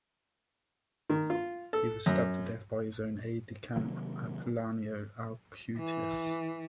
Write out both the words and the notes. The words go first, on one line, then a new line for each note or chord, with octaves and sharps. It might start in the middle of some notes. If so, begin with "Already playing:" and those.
He was stabbed to death by his own aide-de-camp, Apolinario Alcuitas.
D#3
F4
A4
F#2
C3 D#3 F#3 A#3
E3